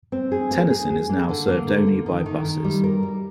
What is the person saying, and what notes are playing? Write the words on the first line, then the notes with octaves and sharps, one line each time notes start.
Tennyson is now served only by buses.
C4
G#4
A#3
G#4
G#4
A#3
D3
A#3
D3
A#3
D#3
D#3
D#3
G3
A#4
G3